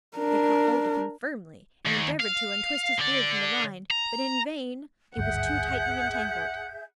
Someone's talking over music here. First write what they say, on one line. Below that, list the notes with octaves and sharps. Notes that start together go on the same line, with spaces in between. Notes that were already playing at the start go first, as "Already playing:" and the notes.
They caught hold of him firmly, and endeavoured to untwist his beard from the line, but in vain; it was too tightly entangled.
D4 A#4
D#2
F5
D3 D5
A#5
G#1 D2 G2 G#4 E5 F#5 G6